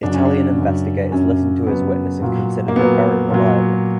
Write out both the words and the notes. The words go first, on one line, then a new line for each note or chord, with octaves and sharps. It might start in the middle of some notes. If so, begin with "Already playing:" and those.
Italian investigators listened to his witness and considered it very reliabile.
F#2 C#3 F#3 D4
C#4
D4
F#2 C#3 F#3
F#2 C#3 F#3 C#4
F#2 C#3 F#3 B3
A#2 F#3
A#3
A#2 F#3 B3
A#2 F#3